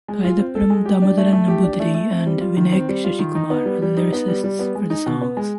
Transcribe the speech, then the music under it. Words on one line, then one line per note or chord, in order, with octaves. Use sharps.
Kaithapram Damodaran Namboothiri and Vinayak Sasikumar are the lyricists for the songs.
G#3
F4
C4
A4
G#3
G4
D4
A3
A3
G4
D4
A3
A3
C4
G3
F4
D#3
C4
G3
F4
D#3
D#4
B3
G3
G3
D#4
B3
G3
G3
B3
G#3
D#4
B2
B3
G#3